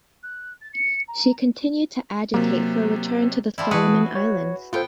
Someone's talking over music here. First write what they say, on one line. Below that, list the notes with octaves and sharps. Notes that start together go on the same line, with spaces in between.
She continued to agitate for a return to the Solomon Islands.
F#6
A6
C#7
A#5
C3 F#3 A#3
F3 G3 E4
E3 F#4 G#4 B4 A5 D#6
C#5
B3 F4 A4 C5 G5